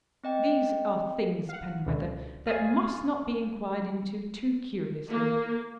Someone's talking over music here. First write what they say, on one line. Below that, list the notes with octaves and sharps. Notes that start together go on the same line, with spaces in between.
These are things, Penwether, that must not be inquired into too curiously.
C4 D#5 G5
F5 F#5
C#2 B2 D3
F4 G#4 G#5
A#3